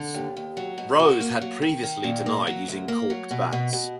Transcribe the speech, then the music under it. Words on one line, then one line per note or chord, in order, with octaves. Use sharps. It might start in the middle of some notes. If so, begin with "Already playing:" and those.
Rose had previously denied using corked bats.
Already playing: D3
D#2
D#2
F#3
B2
F#4
A#3
F#3
D#3
D#3
A#2
A#3
F#3
D2
A#3
F#3
B2
B2
B2